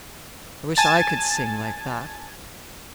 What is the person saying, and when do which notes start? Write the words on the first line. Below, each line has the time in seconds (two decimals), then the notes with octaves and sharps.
"I wish I could sing like that!"
0.77 G#5 A5 A6